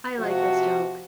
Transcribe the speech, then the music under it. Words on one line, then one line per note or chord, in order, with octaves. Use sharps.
I like this joke.
C3 F3 F4 F#4